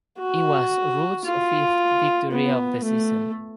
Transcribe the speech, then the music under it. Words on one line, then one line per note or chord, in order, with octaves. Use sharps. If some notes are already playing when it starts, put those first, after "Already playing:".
It was Ruud’s fifth victory of the Season.
F#4
F4
B3
A3